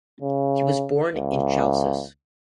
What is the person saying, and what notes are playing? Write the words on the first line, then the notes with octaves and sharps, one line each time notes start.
He was born in Chalcis.
C#3
C#2